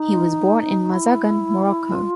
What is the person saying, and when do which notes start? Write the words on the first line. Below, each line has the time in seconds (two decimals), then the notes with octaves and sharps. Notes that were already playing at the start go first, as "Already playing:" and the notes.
He was born in Mazagan, Morocco.
Already playing: D#4
0.93 E4
1.94 F4